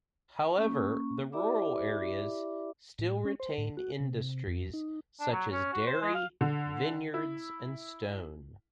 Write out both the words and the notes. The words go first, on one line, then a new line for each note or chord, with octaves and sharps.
However, the rural areas still retain industries such as dairy, vineyards, and stone.
A#3 C#4 C#6
E4 G4 D5 E5 B5 D6
A2
C#4
C5
A2
F#4
C3
F2
D#4
D4
F#3
C#4
F#4
C5
G#3
F5
D3
E4